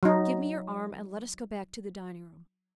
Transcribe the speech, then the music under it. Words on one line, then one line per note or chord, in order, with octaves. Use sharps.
Give me your arm and let us go back to the dining-room.
F#3 D#4